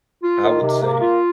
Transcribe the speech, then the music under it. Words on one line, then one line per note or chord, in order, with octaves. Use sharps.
I would say,
F4
D#3
C3
A#3
F4